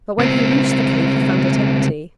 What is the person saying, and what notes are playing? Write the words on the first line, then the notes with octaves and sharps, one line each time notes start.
But when he reached the cave he found it empty.
C#2 C4